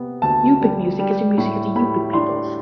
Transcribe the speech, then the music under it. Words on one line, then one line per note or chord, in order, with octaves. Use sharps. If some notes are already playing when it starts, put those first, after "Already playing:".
Yupik music is the music of the Yupik peoples.
Already playing: C3 B3
D2 A5
G3
G3
A2
A2 B5
D4 C6